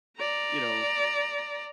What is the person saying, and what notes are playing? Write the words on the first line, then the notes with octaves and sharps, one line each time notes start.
you know,
D5 A#5